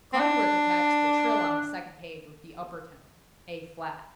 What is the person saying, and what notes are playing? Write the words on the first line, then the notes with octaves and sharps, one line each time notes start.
Klindworth attacks the trill on the second page with the upper tone--A flat.
C4
D4